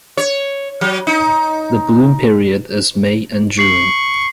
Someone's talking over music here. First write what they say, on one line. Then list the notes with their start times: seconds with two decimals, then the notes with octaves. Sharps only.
The bloom period is May and June.
0.17 C#5
0.81 F#3
1.07 D#4
3.59 C#6 C7 F#7